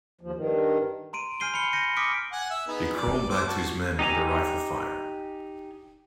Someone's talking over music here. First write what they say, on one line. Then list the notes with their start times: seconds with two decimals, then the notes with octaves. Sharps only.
He crawled back to his men under rifle fire.
0.21 D#2 F3
0.35 G2 D#3
1.13 A#5 C6 D7 D#7
1.40 G#5 F6 G6 C7 D#7 G7
1.54 B5 G6 C#7 G7
1.73 G6 A#6 C#7 D#7
1.96 D6 D#6 F6 B6 C#7 D7
2.32 F#5 G#5
2.51 E5
2.68 B3 D#4 G#4
2.96 D5
3.30 G3 C5 D6
3.48 F#4 A5
3.99 D#4 G4 G#5 A#5